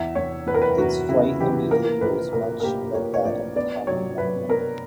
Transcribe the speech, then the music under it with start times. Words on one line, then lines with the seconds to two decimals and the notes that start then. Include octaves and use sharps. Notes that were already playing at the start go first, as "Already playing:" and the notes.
Its flight and behaviour is much like that of the common Mormon.
Already playing: E2 E5
0.15 E2 C#5
0.46 E2 B4
0.54 A#4
0.62 B4
0.78 E2 F#4
1.09 C#3 E4
1.40 E3 G4
1.71 A#3 A#4
2.01 A#1 B4
2.33 A#2 A#4
2.60 A#4
2.63 A#3 G4
2.94 A#3 C#5
3.14 C#5
3.25 A#1 D5
3.56 B3 D5
3.87 F#3 C#5
4.18 F#3 B4
4.48 B3 A#4